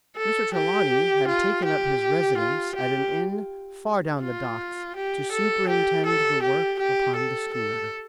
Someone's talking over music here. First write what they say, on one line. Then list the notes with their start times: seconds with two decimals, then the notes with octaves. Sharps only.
Mr. Trelawney had taken up his residence at an inn far down the docks to superintend the work upon the schooner.
0.17 A4
0.54 G4
1.28 F4
1.65 G4
2.38 F4
2.75 G4
4.22 F4
4.96 G4
5.32 A4
5.69 G4
6.06 A4
6.43 G4
6.79 G4
7.16 A4
7.54 A4